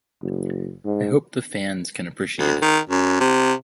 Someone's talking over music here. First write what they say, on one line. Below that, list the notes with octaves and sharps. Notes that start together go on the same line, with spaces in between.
I hope the fans can appreciate it.
F#1
G#2
D2
D#3
F#2
C3